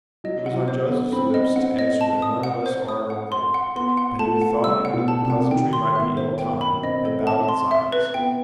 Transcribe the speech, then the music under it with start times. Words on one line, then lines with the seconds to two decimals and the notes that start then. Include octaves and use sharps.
It was on Joseph's lips to answer that none of us are immortal, but he bethought him that the pleasantry might be ill-timed, and bowed in silence.
0.24 F#3 D#5
0.46 F#5
0.54 F#3
0.68 C5
0.83 B3
0.91 A4
1.12 C4 B5
1.34 D#5
1.56 C4 F#5
1.79 D#5
2.01 A5
2.22 D#6
2.43 F#5
2.66 C5
2.88 D#6
3.10 F#5
3.32 C6
3.54 F#5
3.76 B3 C6
3.97 F#5
4.19 A3 A5
4.42 F#5
4.64 G3 E6
4.85 F#5
4.93 B2
5.08 A5
5.22 C3
5.30 F#5
5.51 D#3 G5
5.73 C6
5.95 B3 E5
6.17 C5
6.39 B3 G5
6.61 B5
6.83 C4 D#5
7.05 A4
7.27 A5
7.49 C6
7.71 E5
7.92 B4
8.14 B3 G5